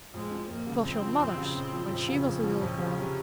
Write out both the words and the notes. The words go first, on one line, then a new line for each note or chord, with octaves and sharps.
"It was your mother's when she was a little girl."
F2 G#3
F3
F2 A#3
C#3
F2 C4
F3
F2
C#3
F2
F3
F2
C#3
F2 C#4
F3
F2
C#3
C3